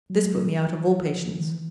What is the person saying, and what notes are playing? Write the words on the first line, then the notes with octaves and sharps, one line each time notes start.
This put me out of all patience.
F#3
F3
D#3
E3